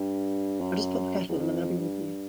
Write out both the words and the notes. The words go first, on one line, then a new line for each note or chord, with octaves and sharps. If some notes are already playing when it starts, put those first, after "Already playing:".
I'll just pop the kettle on and then I'll be with you.
Already playing: G2
F#2
E2
F2
G2